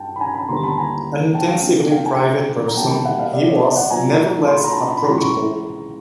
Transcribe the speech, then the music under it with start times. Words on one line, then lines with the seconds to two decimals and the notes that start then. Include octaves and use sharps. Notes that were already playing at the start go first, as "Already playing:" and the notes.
An intensely private person, he was nevertheless approachable.
Already playing: G2 G3 G5 A5
0.16 B5
0.20 G#5 A#5
0.35 A5 B5
0.49 D#2 D3 G3 B3 A#5 C6
0.63 A5 B5
0.78 G#5 A#5
1.34 G5 A5
1.48 F5 G5
1.63 C3 F3 A#3 D4
1.91 F5 G5
2.06 G#5 A#5
2.68 A#5
2.76 B2 G3 A#3 G5 A5
2.91 A5 B5
3.05 E5 F#5
3.19 D#5 F5
3.33 D5 E5
3.48 C#5 D#5
3.62 D5 E5
3.76 E5 F#5
3.90 A#2 F#3 B3 G#5 A#5
4.47 C6
4.56 B5
4.64 A#5
4.72 A5 B5
4.97 B5
5.04 C#2 C#3 E3 A#5 C6
5.18 B5 C#6